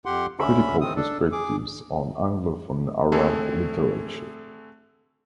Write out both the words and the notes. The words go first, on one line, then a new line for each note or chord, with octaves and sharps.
Critical Perspectives on Anglophone Arab Literature.
F2 G4 F#5 C6
D2 D3 C#4 E5 B5
D#3 C4 D#6
D4 A4
G#4 D6
D3 A3 C4 G#4 A4